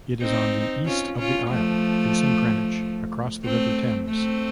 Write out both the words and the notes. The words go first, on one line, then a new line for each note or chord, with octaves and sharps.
It is on the east of the Isle, facing Greenwich across the River Thames.
C4 D#4
C#4 F4
C#4 F4
F3 A3
A3 C4
A3 C4